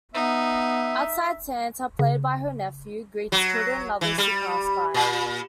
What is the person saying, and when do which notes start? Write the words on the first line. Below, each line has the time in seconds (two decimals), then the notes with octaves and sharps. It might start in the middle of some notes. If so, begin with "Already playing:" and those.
Outside Santa, played by her nephew, greets children and others who pass by.
0.14 B3 D#4 E5
1.99 C#3
3.32 F#3
4.01 E3
4.18 G3
4.94 A#2